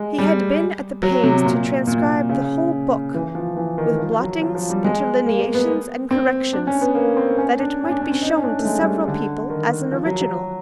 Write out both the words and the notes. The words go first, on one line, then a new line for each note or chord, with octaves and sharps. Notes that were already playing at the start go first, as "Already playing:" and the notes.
He had been at the pains to transcribe the whole book, with blottings, interlineations, and corrections, that it might be shewn to several people as an original.
Already playing: G#3
G3
F#3
C3
A#2
A#2
C#3
E3
F3
E3
D#3
F3
F#3
F3
F3
G3
G#3
A#3
A#3
B3
C4
D4
C#4
B3
A#3
C4
C#4
D4
C#4
D4
C#4
C4
D#4
C#4
D4
A3
G#3
G3
D3
D#3
F3
F#3
F#3